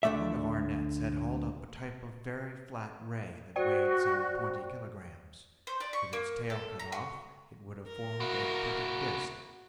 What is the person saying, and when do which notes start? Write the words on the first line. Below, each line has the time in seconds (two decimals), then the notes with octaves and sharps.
One of our nets had hauled up a type of very flat ray that weighed some twenty kilograms; with its tail cut off, it would have formed a perfect disk.
0.03 D2 D3 A3 D5 E5
3.56 F#4 C5 D5 G5
5.67 C5
5.80 D5
5.93 C#6
6.13 A#3
6.50 A4
6.79 A#5
6.92 F#4
7.87 A#4
8.20 A#3 E4 F#4